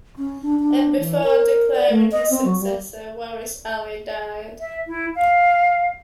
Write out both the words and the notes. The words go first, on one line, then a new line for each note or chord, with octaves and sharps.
And before declaring his successor Waris Ali died.
C#4
D4
D4
E3
A#4
D5
A3
D#5
C4
F#3
G3
E5
E4
F5